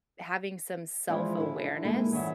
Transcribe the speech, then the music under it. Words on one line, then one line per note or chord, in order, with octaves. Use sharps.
having some self-awareness
E3 F3 G#3 E4 F4 D5
D3 E4
G#3 A#3 D#4 E4
G2 E3 C#5 E5 F#5